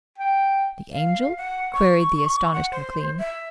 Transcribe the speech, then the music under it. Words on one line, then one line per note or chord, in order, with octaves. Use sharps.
"The Angel?" queried the astonished McLean.
G5
F5
F#5
C#6
F#5
C5
E5